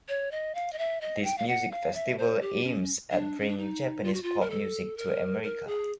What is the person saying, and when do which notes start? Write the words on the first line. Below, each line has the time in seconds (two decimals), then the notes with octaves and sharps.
This music festival aims at bringing Japanese pop music to America.
0.08 C#5
0.31 D#5
0.55 F5
0.73 D#5
0.79 E5
1.01 D#5
1.24 G5
1.38 F5
1.48 F#5
1.71 F5
1.94 E5
2.18 C5
2.41 G4
2.64 C#4
3.11 D4
3.40 C#4
3.49 D4
3.58 D#4
4.04 F4
4.14 F#4
4.23 F4
4.41 A#4
4.50 A4
4.97 A#4
5.43 A#4
5.67 G#4